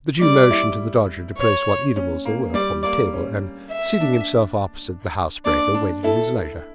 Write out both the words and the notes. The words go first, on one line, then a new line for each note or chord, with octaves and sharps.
The Jew motioned to the Dodger to place what eatables there were, upon the table; and, seating himself opposite the housebreaker, waited his leisure.
G3 D5
E4
C#5
C#4
A#3
G3 D5
A#3 D5
C#4
E5
D4
D4 D5
D4
E4 A4